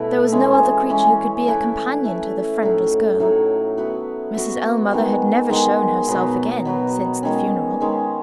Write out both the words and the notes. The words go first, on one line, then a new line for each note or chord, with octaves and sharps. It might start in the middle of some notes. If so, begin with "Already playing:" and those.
There was no other creature who could be a companion to the friendless girl. Mrs. Ellmother had never shown herself again since the funeral.
Already playing: B2 A3 E4 B4
E3 G#3 C#4
E3 G#3 C#4
A3 E4 B4
A3 E4 B4
A2 F#3 A3 D#4
A2 F#3 A3 D#4
B3 F#4 B4 E5
B3 F#4 B4 E5
D#3 G#3 B3
D#3 G#3 B3
B2 F#3 B3
B2 F#3 B3
D#3 G#3 C#4
D#3 G#3 C#4